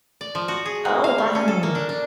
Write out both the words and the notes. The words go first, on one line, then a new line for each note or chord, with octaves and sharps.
Oh, wow.
D5
F3
F#4
G#4
A#3
F5
G3
C#4
A4
A#3
D4
D4